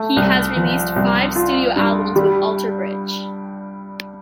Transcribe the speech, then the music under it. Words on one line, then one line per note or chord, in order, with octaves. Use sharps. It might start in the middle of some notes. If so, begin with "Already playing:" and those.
He has released five studio albums with Alter Bridge.
Already playing: A3
C2
F3
C2
F4
G2
G3